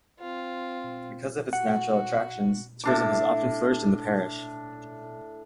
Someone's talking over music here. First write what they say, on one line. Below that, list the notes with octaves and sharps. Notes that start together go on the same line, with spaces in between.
Because of its natural attractions, tourism has often flourished in the parish.
C4 F4
F#4 F#5
A2 D4 D6